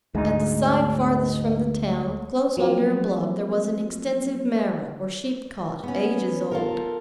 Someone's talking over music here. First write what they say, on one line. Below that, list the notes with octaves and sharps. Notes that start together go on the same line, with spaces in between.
At the side farthest from the town, close under a bluff, there was an extensive marah, or sheepcot, ages old.
D2 G#2 G#3 D#4
F3 F#3 A#3 C4
B3 C#4
F4 A4 A#4